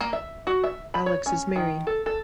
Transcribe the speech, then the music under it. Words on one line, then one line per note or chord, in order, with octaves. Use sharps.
Alex is married.
A#3
E5
F#4
E5
B5
C#5
C#4
D#3
A4
A4